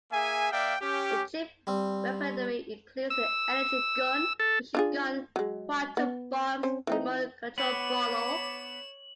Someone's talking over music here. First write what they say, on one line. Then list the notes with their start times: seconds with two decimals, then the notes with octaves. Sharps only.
The chip-weaponry includes the Energy Gun, Fusion Gun, Quantum Bombs and Remote-Controlled Bolo.
0.11 A#3 G#4 E5 G#5
0.51 A#3 D5 E5 F5 G5
0.80 C#4 G4
1.67 G3 C4
3.10 E6
4.40 A4
4.75 D4 F4 G#4
5.36 F#3 G#3
5.97 B3
6.63 C4 C#4 C5
6.87 E3 C4 D#4
7.58 B3 C#5 B5 D6 E7 F#7